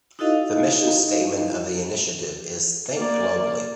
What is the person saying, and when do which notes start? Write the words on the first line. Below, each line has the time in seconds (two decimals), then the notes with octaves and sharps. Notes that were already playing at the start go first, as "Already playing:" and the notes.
The mission statement of the initiative is Think Globally.
0.19 D#4 E4 F#4 A4 D#5 F5
2.96 A#3 D5